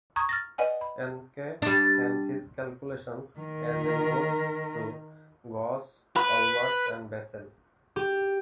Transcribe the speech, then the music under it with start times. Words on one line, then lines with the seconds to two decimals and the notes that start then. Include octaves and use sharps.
Encke sent his calculations as a note to Gauss, Olbers, and Bessel.
0.16 A#5 C#6 D#6 G#6
0.29 F6 A6 A#6
0.58 B4 D5 D#5 F#5 G#5
0.81 B5
1.62 G3 D4
3.40 D#3 A#4
6.16 B4
7.96 G4